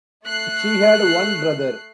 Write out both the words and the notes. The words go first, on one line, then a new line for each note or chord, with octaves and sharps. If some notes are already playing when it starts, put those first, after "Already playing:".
She had one brother.
A3 F#6 C7